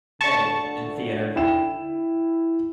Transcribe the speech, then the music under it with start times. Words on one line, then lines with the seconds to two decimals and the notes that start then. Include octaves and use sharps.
A. in theatre.
0.21 D3 A5 C#6
1.36 E4 G5 E7